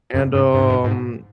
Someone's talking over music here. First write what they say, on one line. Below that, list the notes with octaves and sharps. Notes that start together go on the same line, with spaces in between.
and, um,
F#2
G2
G2
G#2
G2
G#2